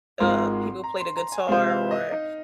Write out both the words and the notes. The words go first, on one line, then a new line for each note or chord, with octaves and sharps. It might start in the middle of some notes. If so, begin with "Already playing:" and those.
uh, people play the guitar or
G#1 G#2 G#3 F4 A#4 C6
A#5
C6
A#5
G#5
C3 G#3 F4 C5 F5
F5
D#5
D#4